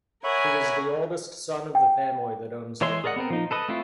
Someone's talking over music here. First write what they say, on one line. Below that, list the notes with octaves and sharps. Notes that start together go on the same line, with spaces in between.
He is the oldest son of the family that owns the company.
A#4 C#5 E5 F#5 G#5 B5
G5
E3 G#3 C#5 E5 C6
G#4 A#4 D5 D#5 F#5
B3 C4 A#4
F3 D#4
A4 B4 D#5
A3 C4 E4 F4